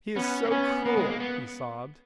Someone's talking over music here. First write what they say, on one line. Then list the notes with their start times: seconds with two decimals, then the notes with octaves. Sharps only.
"He is so cruel!" he sobbed.
0.16 B3 C#4
0.45 A#3
0.51 B3 C#4
0.86 A#3 B3
0.97 G#3
1.08 A#3
1.20 B3